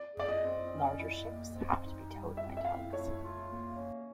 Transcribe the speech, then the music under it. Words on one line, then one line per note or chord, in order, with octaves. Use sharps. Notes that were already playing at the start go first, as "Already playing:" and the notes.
Larger ships have to be towed by tugs.
Already playing: D5
G#4
D5
D#5
C4
C#4
E4
A#3
C4
D#4
G3
C4 E5
E5
E4 F5
A3 C#5
F4
A#3
C#4